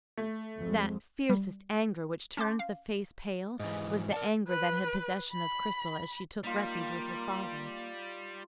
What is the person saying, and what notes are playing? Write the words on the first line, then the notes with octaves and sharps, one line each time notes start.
That fiercest anger which turns the face pale, was the anger that had possession of Cristel as she took refuge with her father.
A3
F2 G#3
G3
C#4 A5 C6 D6 G6
F5
G#2 E3 D#5
A#4 D5 A5
B4
B5
G3 A#3 D#4 F4